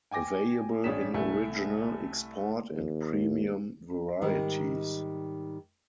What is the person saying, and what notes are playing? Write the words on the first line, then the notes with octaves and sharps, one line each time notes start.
Available in original, export, and premium varieties.
G5 G#5 D6 A#6
A1 C#4 D4 G#4 B6 E7
C2 A3 G#5
D#2
G#2 D#3 G3